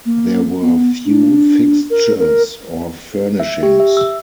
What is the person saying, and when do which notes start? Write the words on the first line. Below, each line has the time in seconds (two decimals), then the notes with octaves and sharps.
There were few fixtures or furnishings.
0.06 A#3
0.61 B3
1.05 D4
1.90 A#4
2.19 A#4
3.40 E5
3.63 G4
3.80 E5
3.97 E6